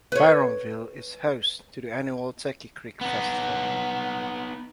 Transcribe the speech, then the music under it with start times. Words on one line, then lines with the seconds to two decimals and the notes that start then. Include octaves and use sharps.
Byromville is host to the annual Turkey Creek Festival.
0.12 B4 C#5
3.01 B3 D#4